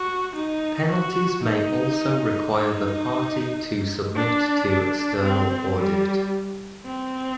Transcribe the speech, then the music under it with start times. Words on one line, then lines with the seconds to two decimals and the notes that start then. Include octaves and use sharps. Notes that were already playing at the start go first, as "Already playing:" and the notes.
Penalties may also require the party to submit to external audit.
Already playing: F#4
0.36 D#4
0.91 F#4
1.44 D#4
2.52 D#4
4.15 D4
4.69 D4
5.23 C4
5.77 G3
6.85 C4